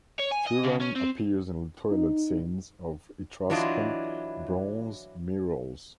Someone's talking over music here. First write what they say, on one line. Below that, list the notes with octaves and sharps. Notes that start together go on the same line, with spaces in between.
Turan appears in toilette scenes of Etruscan bronze mirrors.
C#5
G#5
D#5
C#3
C#4
C4
D#4
E3 F#3 D4 E4 F4 D#5